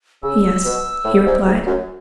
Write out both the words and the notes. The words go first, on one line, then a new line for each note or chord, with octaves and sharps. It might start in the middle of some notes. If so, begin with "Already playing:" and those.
"Yes," he replied.
C#3 E6
B2
A2
G#2
G#2
F#2